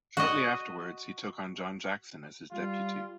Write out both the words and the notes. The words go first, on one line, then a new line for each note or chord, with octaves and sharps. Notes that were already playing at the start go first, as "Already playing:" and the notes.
Shortly afterwards he took on John Jackson as his deputy.
F#4 D#5
G3 F4